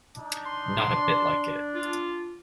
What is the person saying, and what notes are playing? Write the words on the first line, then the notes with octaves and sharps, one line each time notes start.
Not a bit like it.
D4 D#4
C6
D4
F4